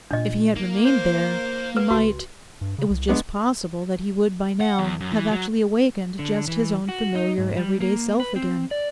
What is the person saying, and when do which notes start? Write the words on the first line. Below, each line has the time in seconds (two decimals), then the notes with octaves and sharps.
If he had remained there, he might, it was just possible that he would by now, have actually awakened just his own familiar every-day self again.
0.11 A#2 D4 D#5
0.56 A#3 E4
0.84 C5
1.77 B4
1.90 C#2 F#4
2.61 G2
2.79 C#3
2.91 C2
3.08 G#3 B3 D4
4.61 F#5
4.79 E2
5.00 F#2
5.12 E3
5.31 F#3
6.19 D3
6.48 E3
6.89 F#4
7.15 D#4
7.38 G#2
7.56 G3
7.81 A#3
8.20 B4
8.36 C4
8.71 D5